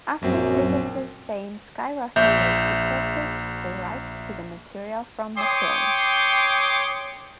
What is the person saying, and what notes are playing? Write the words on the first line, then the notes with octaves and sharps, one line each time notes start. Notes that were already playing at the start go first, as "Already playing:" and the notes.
After Dickens's fame skyrocketed he purchased the rights to the material from Macrone.
A#1 F#2 C4
A#1 E5 G6
C#5 G5 C6 D6 D#6